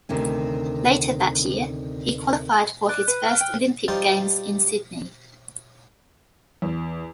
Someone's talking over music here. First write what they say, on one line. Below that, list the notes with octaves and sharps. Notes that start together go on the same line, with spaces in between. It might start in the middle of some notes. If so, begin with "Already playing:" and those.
Later that year he qualified for his first Olympic Games in Sydney.
D2 C3 D#3 C#4
D5 F#6
B4
F6 G7
G5
G3 D#4 F4 C5
E2